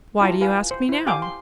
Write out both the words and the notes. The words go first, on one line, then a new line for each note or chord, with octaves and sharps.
"Why do you ask me now?"
E4 F4 G4 A5 A#5
B4 F5 G#5
C5
E4 C5
G4 F5 G5 G#5 D6
C6